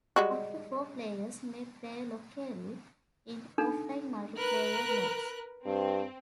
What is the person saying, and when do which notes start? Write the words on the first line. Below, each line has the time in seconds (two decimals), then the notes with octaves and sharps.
Up to four players may play locally in offline multiplayer matches.
0.16 G3 G#3 F#4
3.58 D4 D#4 A4
4.36 A#4 B4 F#6
5.66 G2 C4